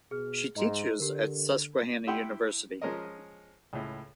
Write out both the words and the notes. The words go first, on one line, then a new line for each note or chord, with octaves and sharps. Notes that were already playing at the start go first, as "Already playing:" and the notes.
She teaches at Susquehanna University.
B2 G#4 F6
G#2 D#5 A#5 C6
D3 G4 A#4
E4 G4 F#5 G5 C6
F3 G#3 C#4 A#4 D#5
C#2 A2